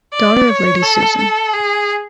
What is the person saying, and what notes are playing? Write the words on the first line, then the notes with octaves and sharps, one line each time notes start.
Daughter of Lady Susan.
D5
C#5
A4
A4
G#4